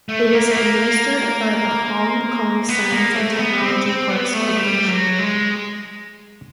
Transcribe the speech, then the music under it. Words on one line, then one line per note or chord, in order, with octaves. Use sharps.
It is administered by the Hong Kong Science and Technology Parks Corporation.
A3
A#3
A3
A#3
B3
A#3
A3
B3
C4
C4
B3
A3
G3
F#3
G#3